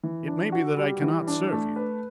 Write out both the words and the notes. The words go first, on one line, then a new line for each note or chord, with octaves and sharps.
It may be that I can not serve you.
E3
D4
F#4
G3
E3
D4
A3
B4